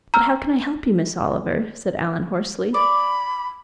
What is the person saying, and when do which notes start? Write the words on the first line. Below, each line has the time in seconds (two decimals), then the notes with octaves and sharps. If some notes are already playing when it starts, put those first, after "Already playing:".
"But how can I help you, Miss Oliver?" said Alan hoarsely.
0.14 A#5 E6 F6
2.74 D5 B5